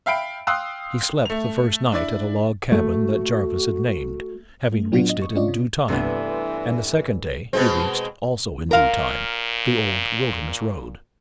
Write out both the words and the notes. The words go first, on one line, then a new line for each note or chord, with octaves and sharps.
He slept the first night at a log cabin that Jarvis had named, having reached it in due time, and the second day he reached, also in due time, the old Wilderness Road.
E5 F5 G5 B5 D7
F5 G5 C6 D#6 E6 F#6
A3 F7
D4 E4 D5
A3 F#4
A3
A2 F#3 B3 D4 F4 F#4
D#5
C#6
C#4 D4 F4 D5 D#5
C3
G2 C3 E3 A3 B3 D4
B2 G#3 C4
A#2 A#4 F5